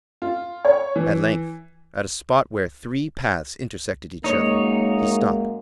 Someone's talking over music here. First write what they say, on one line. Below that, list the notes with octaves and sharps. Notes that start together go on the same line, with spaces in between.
At length, at a spot where three paths intersected each other, he stopped.
F4
C#5
E3
F#2 G#3 A#3 D#4 C#5